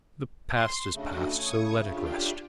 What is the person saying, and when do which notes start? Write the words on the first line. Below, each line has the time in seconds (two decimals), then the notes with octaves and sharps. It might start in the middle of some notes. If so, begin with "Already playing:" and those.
The past is past, so let it rest.
0.56 C6
0.94 C#3 A3 D4 F#4 D#5
1.28 C#6 D#6 G#6
1.87 D4 F4 G4